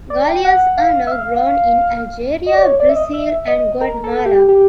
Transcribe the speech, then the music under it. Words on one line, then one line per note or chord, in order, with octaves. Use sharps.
Galias are now grown in Algeria, Brazil, Guatemala.
D5
G5
F#5
F5
E5
F5
D#5
D5
C#5
D5
E5
D#5
E5
D#5
A#4
A4
G4
G4